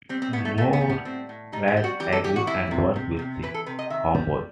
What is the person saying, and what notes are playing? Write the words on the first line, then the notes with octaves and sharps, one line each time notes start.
Morales agrees and work with the Homeboys.
G3 C4
C4
A2 B3
A3
A2 A3
B3
G3
B3
A2 C4
A2
G3 D#4
E4
G3
F#4
E3 G4
A4
E3 G4
F#4
E3 E4
C3
C3
C3
E3 B4
A4
C3 B4
D#5
D#3 E5
G3